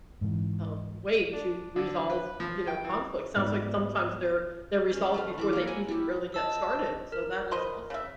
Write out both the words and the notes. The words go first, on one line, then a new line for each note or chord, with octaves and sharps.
um, way to resolve, you know, conflict. Sounds like sometimes they're they're resolved before they even really get started, so that is awesome.
G#2 E3
D4
D3
B4
F3
G5
E3
G#2 B3 D5 E5
C#4 C5
A3 B4 F5
E3 E4 D6
A#3 A#4
F#5 G#5
E4 G4
D#5 A5 E6
A#4
B4 C5 D#5
C#3 E5